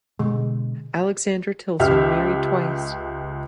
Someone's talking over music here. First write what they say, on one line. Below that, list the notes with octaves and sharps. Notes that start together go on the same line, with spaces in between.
Alexandra Tillson married twice.
B2 D3 G#3
C#2 G4 E5 F6